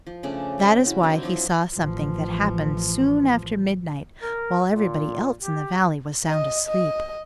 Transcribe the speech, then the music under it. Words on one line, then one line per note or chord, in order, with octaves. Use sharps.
That is why he saw something that happened soon after midnight, while everybody else in the valley was sound asleep.
F3
C#3 A3 C#4 D4
G#3 G5
E4 F#4
F#3 C4 D4 F#4
F3 F#3 E4
A1 F3
A#4
A#2
G4
D#5
D#5